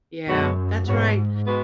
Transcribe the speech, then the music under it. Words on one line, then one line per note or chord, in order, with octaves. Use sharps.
Yeah, that's right.
F#2 B2 G#3 B3 F#4 C#5
G#2 B2 G#3 B3 F#4 C#5
G#3 B3 F#4 B4